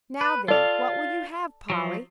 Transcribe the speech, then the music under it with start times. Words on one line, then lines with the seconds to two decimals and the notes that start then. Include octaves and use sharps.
"Now, then, what will you have, Polly?"
0.21 B4
0.48 F4 A4 D5 F5
1.70 F3 F#3